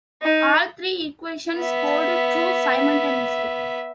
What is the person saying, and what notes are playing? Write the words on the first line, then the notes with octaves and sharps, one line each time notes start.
All three equations hold true simultaneously.
D#4
B3 E5